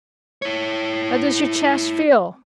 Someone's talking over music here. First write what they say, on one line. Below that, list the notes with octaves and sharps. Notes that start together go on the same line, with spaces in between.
"How does your chest feel?"
E4 C#5